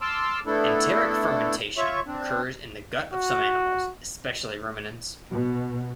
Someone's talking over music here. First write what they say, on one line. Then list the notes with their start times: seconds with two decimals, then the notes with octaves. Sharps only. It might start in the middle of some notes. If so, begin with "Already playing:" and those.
Enteric fermentation occurs in the gut of some animals, especially ruminants.
0.01 A5 C6 D6 E6 F6
0.46 A3 B3 D4 E4 A4
1.77 F4 C#5 E5 C#6
2.07 C4 D4
3.13 F#4
5.32 B2